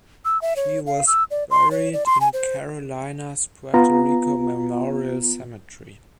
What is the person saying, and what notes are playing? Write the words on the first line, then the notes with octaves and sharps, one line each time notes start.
She was buried in Carolina's Puerto Rico Memorial Cemetery.
E6
E5
C#5
F5
E6
D5
C6
C#5
D5
C6
G#5
C5
B3 F4 A#5